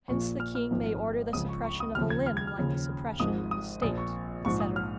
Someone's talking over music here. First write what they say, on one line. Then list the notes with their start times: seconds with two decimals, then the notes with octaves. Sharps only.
Hence the king may order the suppression of a limb like the suppression of a state, etc.
0.08 A#1 A#2 F3 C#6
0.40 F6
0.55 F6
0.71 G#1 G#2 F3
1.33 C#2 C#3 F3 D#6
1.49 C#6
1.64 C#6
1.80 D#6
1.95 D#2 C#3 F3 F6
2.10 G#6
2.26 F6
2.37 G#6
2.47 F6
2.57 D#2 C#3 F3
3.20 G#1 G#2 F3 D#6
3.51 D#6
3.82 A#1 A#2 F3 D#6
3.98 C#6
4.44 A#1 G#2 F3 C#6
4.60 D#6
4.76 F6